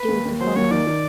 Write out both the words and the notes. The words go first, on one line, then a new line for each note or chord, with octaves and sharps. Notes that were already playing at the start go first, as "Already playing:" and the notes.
Do it the fun way.
Already playing: B4
D#2
D#2
F#3 C5
D#2 C#5
D#3 D5
D#3